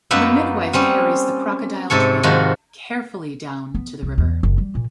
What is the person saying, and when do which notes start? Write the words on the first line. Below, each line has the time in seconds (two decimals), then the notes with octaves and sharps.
The midwife carries the crocodile twin carefully down to the river.
0.11 F#2 A#3 B3 D#4 E5
0.73 G3 C4 C#4
1.90 G#2 C3 A4 C#5
2.23 G#2 D#3 F3 F#4
3.75 B3
4.03 C2
4.18 E2
4.43 F#1
4.58 G3
4.75 A#2